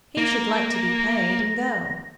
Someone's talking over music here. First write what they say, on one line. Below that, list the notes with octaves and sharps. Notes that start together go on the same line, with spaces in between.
He should like to be paid, and go.
A#3 A#6